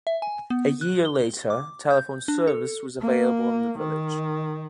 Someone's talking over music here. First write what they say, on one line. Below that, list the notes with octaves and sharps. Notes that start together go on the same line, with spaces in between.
A year later, telephone service was available in the Village.
E5
G#5
B3
F#6
G7
D6
G6
D4
A4
A#3
D#3